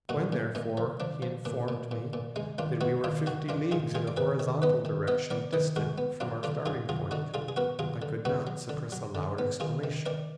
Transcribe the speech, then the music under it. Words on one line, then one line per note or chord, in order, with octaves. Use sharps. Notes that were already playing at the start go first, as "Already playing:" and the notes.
When, therefore, he informed me that we were fifty leagues in a horizontal direction distant from our starting point, I could not suppress a loud exclamation.
A#2 D#4 F#4
A#2
A#2 D#4
F3
F3 D4
F3
A#2 D4
A#2
A#2
A#2
G#3 D#4
D#3 D4 F4
B3 D#4 F#4
D#3 D4 F4
D#3 D#4 F#4
D#3 D4 F4
D#3 F4 G#4
D#3 F4 G#4
D5
D#3 G#4 B4
D#3
B3 B4 D#5
D#3
B3 B4 D#5
B3 A#4 D5
D#3 B4 D#5
G#3 F#4 A#4
B3
F#3 D4 F4
D3 D4 F4
F#3 F4 G#4
F#3 F4 G#4
D3 D#4 F#4
D3 F4 G#4
G#4
B3 F#4 A#4
F#3 F4 G#4
D3
B3 D#4 F#4
F#3
D3
F#3
D3
B3
D#3 F4 G#4
D#3
D#3 A#4 D5